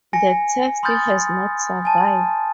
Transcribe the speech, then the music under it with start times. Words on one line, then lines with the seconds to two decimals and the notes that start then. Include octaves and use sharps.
The text has not survived.
0.13 G#5 A#6 C#7
0.83 B5 C6 D#6 F6 G6 A6
1.85 G#5 A5